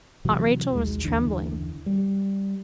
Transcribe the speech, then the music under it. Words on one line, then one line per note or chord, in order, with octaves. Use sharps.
Aunt Rachel was trembling.
F2 C3 E3 F#3
A#1 D#2 G#3
F#1 D#2 D3 E3
G3